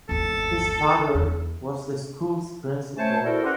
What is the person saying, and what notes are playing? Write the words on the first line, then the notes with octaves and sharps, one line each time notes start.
His father was the school's principal.
G1 D#2 A4
E2
A3 C#4 C5 C#5 A5
E4 F#4 A4 A#4 C5 D5
C#4 G4 A#4 B4 F#5 C6